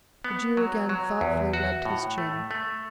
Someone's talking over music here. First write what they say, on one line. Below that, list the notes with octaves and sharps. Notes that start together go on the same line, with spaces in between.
The Jew again thoughtfully rubbed his chin.
B3
F#3
F#3
E2
F#4
A2
A3
A3